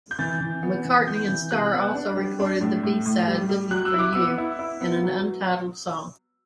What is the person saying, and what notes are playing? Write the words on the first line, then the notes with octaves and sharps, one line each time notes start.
McCartney and Starr also recorded the B-side "Looking for You" and an untitled song.
G6
E3 A6
E3
B3
E3
B3 G6
E3
C3 F#6
B3
D4
G3
D4
A2
A2
A2
G3
G3
F#3 F#6
E6
E4 D6
B3 E6
E4
E4
B3
F#3